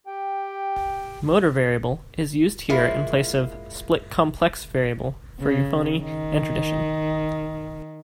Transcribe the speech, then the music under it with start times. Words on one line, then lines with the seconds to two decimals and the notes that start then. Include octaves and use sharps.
"Motor variable" is used here in place of "split-complex variable" for euphony and tradition.
0.07 G4 G5
2.70 G#3 A#3 E4 F4
5.40 C#3
6.00 D#3